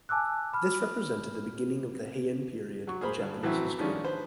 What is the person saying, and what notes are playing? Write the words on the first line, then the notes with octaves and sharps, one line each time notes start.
This represented the beginning of the Heian period in Japanese history.
G#5 A5 D6 E6 F#6
B5 F6
F#3 C#6
G#4 A#4 C5 B5
G2 D3
A2 E3 F#3 C4 C#4 E4
D#3 F3 G#3 A3 C#4 D4
B4 C5